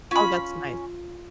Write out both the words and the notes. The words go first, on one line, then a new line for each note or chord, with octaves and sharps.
Oh, that's nice.
C#4 F4 B5